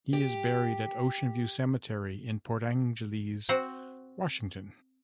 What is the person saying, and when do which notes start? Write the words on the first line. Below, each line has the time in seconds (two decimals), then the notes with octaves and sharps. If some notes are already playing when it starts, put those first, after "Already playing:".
He is buried at Ocean View Cemetery in Port Angeles, Washington.
0.13 G4
3.49 C4 F#4 C5 F#5